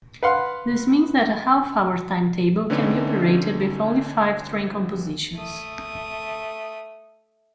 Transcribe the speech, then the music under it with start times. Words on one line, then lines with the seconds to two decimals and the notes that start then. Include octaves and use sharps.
This means that a half-hour timetable can be operated with only five train compositions.
0.23 B4 F5 F#5 C6
2.70 D3 E3 A3 C4 C#4 D#4
5.36 A3 D#6